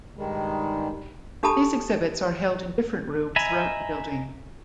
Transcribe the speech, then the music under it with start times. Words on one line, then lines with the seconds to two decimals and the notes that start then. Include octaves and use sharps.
These exhibits are held in different rooms throughout the building.
0.17 G2 D#3 G3 G#3
1.43 D4 G4 A4 A5 B5 D#6
3.36 D#5 E5 G#5 A#5 B5